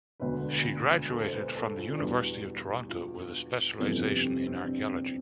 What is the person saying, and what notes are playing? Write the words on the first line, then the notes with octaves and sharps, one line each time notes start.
She graduated from The University of Toronto with a specialization in Archaeology.
E1 D2 D3 B4
A4
C5
B4
A4
F4
D4
E2 B2 G3 E4
F4
G1 F2 C3 E3 G3 A4
G4
C4
C4
D4
C4